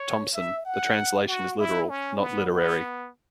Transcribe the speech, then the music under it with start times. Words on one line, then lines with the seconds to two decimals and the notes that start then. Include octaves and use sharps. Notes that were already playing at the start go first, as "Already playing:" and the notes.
Thomson; the translation is literal, not literary.
Already playing: C#5
0.34 E5
0.65 F#5
1.27 F#4
1.59 E4
1.89 C#4
2.21 B3
2.52 B3